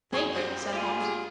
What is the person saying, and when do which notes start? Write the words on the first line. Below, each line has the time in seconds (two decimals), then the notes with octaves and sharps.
"Thank you," said Holmes.
0.12 F#2 G#4 G#5 C#6 D#6
0.34 A2 G3 C4 C5
0.74 F4 G4 G#5
1.00 G#4